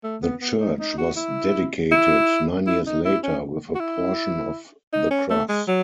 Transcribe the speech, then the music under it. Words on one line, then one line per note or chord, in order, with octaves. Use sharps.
The church was dedicated nine years later, with a portion of the cross.
A3
B3
B3
D#4
D#4
F#4
E4
E4
E4
D#4
E4
C#4
F#4
E4
D#4
C#4
A3
G#3
F#3